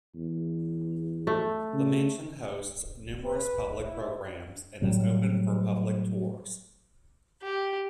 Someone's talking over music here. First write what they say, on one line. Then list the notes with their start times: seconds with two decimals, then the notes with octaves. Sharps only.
The mansion hosts numerous public programs, and is open for public tours.
0.15 E2
1.27 A3
1.73 C#3
3.23 B4
3.80 E4
4.82 A2 F#3 G3
7.43 G4